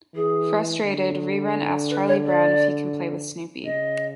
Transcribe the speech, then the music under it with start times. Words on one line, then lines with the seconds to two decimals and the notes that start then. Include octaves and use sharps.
Frustrated, Rerun asks Charlie Brown if he can play with Snoopy.
0.15 E3 G#4
0.85 D3
1.90 B4
2.07 C#5
2.25 D5
3.64 C#3 D#5